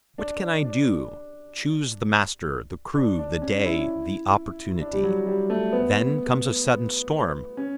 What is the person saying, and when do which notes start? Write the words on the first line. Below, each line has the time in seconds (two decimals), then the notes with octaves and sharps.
"What can I do?"--Choose the master, the crew, the day, the opportunity. Then comes a sudden storm.
0.18 D4
0.65 D4
2.95 D4
3.19 D4
3.42 C#4
3.65 E4
4.81 D4
4.93 G3
5.03 F#3
5.27 G3
5.50 A3
5.73 B3
7.57 C#4